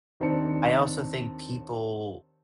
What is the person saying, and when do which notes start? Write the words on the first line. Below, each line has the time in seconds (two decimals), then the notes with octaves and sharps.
I also think people,
0.20 D#2 D#3 C4 D4 A5 C#7